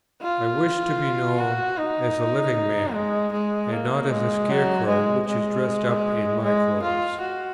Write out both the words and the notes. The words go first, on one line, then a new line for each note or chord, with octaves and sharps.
I wish to be known as a living man, and not as a scarecrow which is dressed up in my clothes.
F4
F#4
D#4
G#3
G#3
A#3
G#3
F#3
G#3
G#3
G#3
F4
F#4